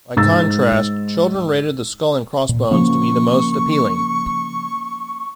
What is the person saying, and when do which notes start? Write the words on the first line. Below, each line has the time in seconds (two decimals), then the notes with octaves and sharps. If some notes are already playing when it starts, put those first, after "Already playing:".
By contrast, children rated the skull-and-crossbones to be the most appealing.
0.17 G#2 E6 A6
2.49 A#2
2.71 C#3 F3 A#3 C#4 C#6